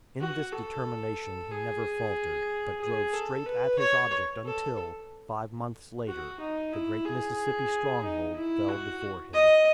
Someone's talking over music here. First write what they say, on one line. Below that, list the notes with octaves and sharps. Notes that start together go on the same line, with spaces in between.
In this determination he never faltered, but drove straight at his object until, five months later, the great Mississippi stronghold fell before him.
F#4
A4
G#4
G#4
A4
B4
C#5
A4
F#4
D#4
E4
G#4
D#4
E4
F#4
D#5